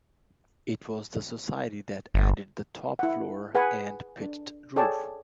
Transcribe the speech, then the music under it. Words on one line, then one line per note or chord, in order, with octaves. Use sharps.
It was the Society that added the top floor and pitched roof.
G1
E4 F#5
G#4 B4 F#5 G#5
D4
G#4 A4 C#5 D5 G5 A5